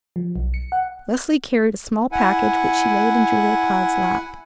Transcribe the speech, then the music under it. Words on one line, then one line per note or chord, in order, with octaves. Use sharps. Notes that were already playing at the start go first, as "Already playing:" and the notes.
Leslie carried a small package, which she laid in Julia Cloud's lap.
F3
B1
C#7
F#5
E4 F#5 G#5